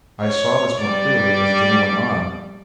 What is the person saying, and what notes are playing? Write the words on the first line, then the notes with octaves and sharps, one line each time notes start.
I saw this more clearly as dinner went on.
C#5
G3 D5